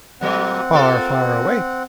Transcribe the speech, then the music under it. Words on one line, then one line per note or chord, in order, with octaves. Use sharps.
"Far, far away!"
A#2 F#3 A3 C4 F#5
A#3 F4 A4